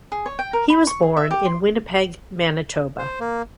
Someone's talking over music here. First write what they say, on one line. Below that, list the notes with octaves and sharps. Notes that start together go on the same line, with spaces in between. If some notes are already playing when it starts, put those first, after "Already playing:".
He was born in Winnipeg, Manitoba.
G#4
C#5
G5
A#4
B5
C#6
G#4
E5
G4
C6
C5
A#3